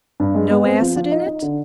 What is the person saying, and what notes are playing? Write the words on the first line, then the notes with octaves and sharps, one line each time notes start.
"No acid in it?"
G2
G#3
B3
C4
F3
F3
D#4
D#4
D3